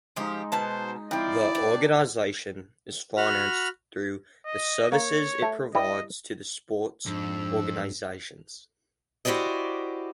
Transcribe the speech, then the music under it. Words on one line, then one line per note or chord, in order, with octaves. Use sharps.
The organisation is financed through the services it provides to the sport organisations.
F3 G#3 D#4 G4
B2 B3 C5 A5
F3 C4 E4 D5 G5
D4
F#4 B5 F6
D#5
A#3 C#5
A3
G3 E4 D#5
F2 G#2 D4 E6
E4 F#4 G4 C5 D5 D#5